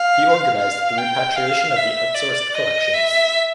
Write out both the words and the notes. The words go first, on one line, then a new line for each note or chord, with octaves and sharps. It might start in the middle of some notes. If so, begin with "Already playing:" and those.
He organized the repatriation of the outsourced collections.
Already playing: F5
F5
G5
F5
E5
D5
D#5
E5